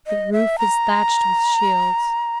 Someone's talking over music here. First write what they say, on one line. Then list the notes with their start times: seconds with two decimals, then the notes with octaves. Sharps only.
The roof is thatched with shields.
0.07 D#5
0.33 E5
0.58 A#5